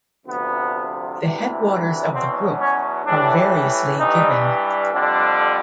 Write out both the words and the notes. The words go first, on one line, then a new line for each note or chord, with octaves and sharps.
The headwaters of the brook are variously given.
D2 C3 F3 B3
D2 C3 E3
E2 B2 F#3 C4
C#4
A2 E3 G3 D4
G2 E3 G3 D#4
F2 D3 G3 D4